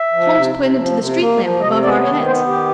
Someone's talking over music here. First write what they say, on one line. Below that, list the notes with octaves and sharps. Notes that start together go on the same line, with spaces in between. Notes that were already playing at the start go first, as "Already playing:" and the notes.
Holmes pointed to the street lamp above our heads.
Already playing: E5
F3
C3
C3
F3
C3
A#3
F3
C3 D#5
B3 D5
D#3 C#5
B3 C5
D#3 G4